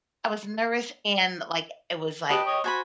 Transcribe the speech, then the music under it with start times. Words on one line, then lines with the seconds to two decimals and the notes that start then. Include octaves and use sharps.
I was nervous and, like, it was, like,
2.30 G4 B4 D#5 A5
2.46 C#5 D#5
2.64 F#4 C5 G#5 B5